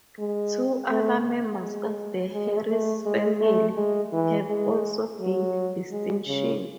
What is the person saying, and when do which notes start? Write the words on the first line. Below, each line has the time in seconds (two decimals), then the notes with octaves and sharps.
Two other members of the Harris family have also gained distinction.
0.19 G#3
0.90 A3
1.62 G#3
2.34 G#3
2.69 A3
3.06 G#3
3.41 A3
3.77 G#3
4.13 E3
4.49 G#3
5.20 F#3
5.91 G#3
6.28 C#3